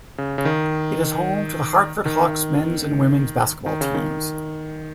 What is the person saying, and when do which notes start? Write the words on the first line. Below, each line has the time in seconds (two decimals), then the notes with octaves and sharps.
It is home to the Hartford Hawks men's and women's basketball teams.
0.18 C#3
0.38 C#3
0.45 D#3
2.05 D#3
3.66 D#3
3.81 C#3
3.94 D#3